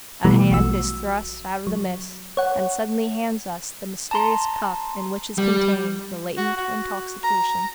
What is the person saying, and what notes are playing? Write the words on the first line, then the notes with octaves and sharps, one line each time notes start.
A hand is thrust out of the mist, and suddenly hands us the mysterious cup in which is contained the latent intoxication.
B2 E3 G3 A3 B3
A#1 F#3 F#4 E6
F#3
C#5 F#5
A5 A#5 C6
G3
F#4
F#4
A#5